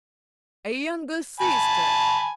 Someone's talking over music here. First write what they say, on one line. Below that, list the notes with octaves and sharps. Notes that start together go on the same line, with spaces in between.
A younger sister!
G#5 A5 B5